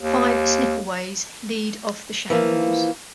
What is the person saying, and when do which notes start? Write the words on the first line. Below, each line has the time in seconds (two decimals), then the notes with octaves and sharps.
Five Snickelways lead off the Shambles.
0.01 D#2
2.30 E3 F3 A#3